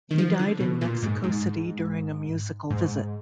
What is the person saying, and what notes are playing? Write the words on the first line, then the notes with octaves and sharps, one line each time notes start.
He died in Mexico City during a musical visit.
D#3
F3
D3
B2
A#2
G#2
G#2
G#2